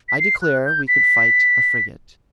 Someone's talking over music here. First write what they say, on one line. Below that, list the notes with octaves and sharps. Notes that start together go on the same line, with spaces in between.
I declare we could fight a frigate.
B6
C7
F#6
G6
B6